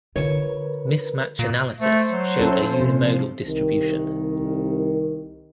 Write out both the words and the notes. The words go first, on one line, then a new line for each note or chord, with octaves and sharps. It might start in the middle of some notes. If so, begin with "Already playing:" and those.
Mismatch analysis showed a unimodal distribution.
D3 F4 A#4 B4 C#5
A#2
A3 C5
F#3
C#4 E4 A4
F3
C3
F3
C2 D#3